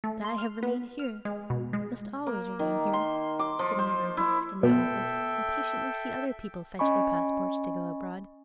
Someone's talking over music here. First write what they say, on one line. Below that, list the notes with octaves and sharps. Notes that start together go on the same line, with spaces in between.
But I have remained here--must always remain here, sitting at my desk in the office, and patiently see other people fetch their passports to go abroad.
A3
C6
F6
B3
F6
G#3
B2
G#3
A#3
D#3
C6
D6
F3
C5
E4
B2 A4 E5 G5
C#4 D#5 G#5 B5 C#6